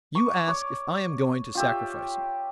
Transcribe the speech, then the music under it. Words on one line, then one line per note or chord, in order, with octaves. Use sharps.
You ask if I am going to sacrifice you.
C#6 D6
C#5 D6
F4 G4 E5